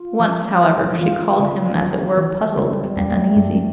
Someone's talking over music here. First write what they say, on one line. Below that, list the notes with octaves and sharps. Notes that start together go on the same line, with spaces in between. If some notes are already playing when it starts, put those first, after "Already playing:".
Once, however, she called him, as it were, puzzled and uneasy.
Already playing: F4
F3
F3
E3 F4
D3
E3
F3
E3
D3 G3
G3
F2
A3
G2